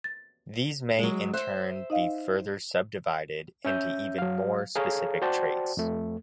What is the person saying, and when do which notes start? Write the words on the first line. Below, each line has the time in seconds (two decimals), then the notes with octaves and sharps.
These may in turn be further subdivided into even more specific traits.
0.04 A6
0.99 F#3 G#3
1.33 C5 E5 F#6
1.90 D#4 D#5 F5
3.65 C#4 E5 G6
4.18 F#3 F5
4.76 G#4 A4 C#5 F5 A#5
5.22 F#4 C5 D5 G5 A5
5.77 F2 A3